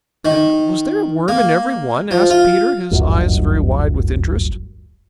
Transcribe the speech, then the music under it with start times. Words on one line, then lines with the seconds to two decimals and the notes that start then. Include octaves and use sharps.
"And was there a worm in every one?" asked Peter, his eyes very wide with interest.
0.25 D#3
1.28 A#3
2.11 F3
2.30 F4
2.91 D1 G1 F#2